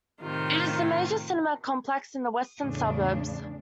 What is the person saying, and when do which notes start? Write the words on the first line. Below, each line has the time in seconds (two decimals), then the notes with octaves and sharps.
It is the major cinema complex in the Western Suburbs.
0.21 A2 C3 D#3 F4
2.61 E2 A2 C#3 D4